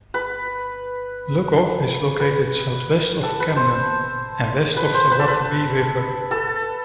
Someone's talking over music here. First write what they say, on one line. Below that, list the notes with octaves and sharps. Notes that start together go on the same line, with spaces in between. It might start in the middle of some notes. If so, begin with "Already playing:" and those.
Lugoff is located southwest of Camden, and west of the Wateree River.
B4
B4
A4
B4
C5
B4
C5
B4
A4
B4
A4